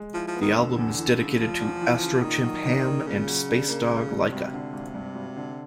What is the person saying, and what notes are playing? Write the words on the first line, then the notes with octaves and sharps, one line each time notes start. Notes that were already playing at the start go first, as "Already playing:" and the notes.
The album is dedicated to "Astrochimp Ham and Spacedog Laika".
Already playing: G#3
F3 E4
F3
B3
D#3
F1 D3
E2
E3
C#3
F1 F3
E2
E3
C#3
A#2 D#3
F#3
D4
A#3
A#2 C#3
F#3
D4
A#3
G#1
G2
G#1 C3
D3
G#1
G2
G#1
D3